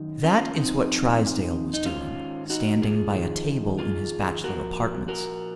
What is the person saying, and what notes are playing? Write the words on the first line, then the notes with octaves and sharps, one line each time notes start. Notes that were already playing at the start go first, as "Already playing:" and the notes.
That is what Trysdale was doing, standing by a table in his bachelor apartments.
Already playing: F#2 D#3
C#4 F4
A#2 F3 C4 D#4
D#4
G#2 D#3 C#4 F4
D#4 F#4
F4 G#4
F2 D#3
F4 G#4
A#2 F3 F#4 A#4
F#4 A#4